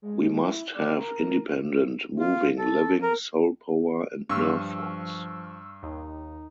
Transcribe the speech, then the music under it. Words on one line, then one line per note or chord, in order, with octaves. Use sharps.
We must have independent, moving, living soul power and nerve force.
G#3
E4
D5
A#4
F4
A4
A#4
G2 F3 C#6 E6 F6
D#2 D#4